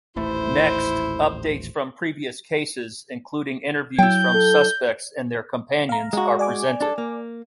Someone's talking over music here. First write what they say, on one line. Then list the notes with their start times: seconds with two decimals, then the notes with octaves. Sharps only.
Next, updates from previous cases, including interviews from suspects and their companions, are presented.
0.16 D#1 A1 A3 E4 C5
3.98 F#3 E4 G5 G6
4.35 A4
5.89 F5 A#5
6.13 G#3 F#4
6.39 D5 G#5 D6
6.81 D4 A4
6.98 A#3